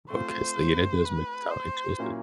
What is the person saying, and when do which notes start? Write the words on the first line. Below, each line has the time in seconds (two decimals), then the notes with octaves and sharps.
Okay. So, yeah, that does make it sound interesting.
0.10 A3 C4 F4 C5
1.05 B4
1.51 C5
1.98 A#2 F#3 A#3 C#4 E4